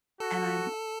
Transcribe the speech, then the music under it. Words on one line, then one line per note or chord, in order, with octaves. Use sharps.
and I'm
F#4 A4